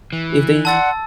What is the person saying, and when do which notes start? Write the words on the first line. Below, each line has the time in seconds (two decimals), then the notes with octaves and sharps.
If they
0.13 E3
0.65 D5 F#5 A5 C6 E6 A6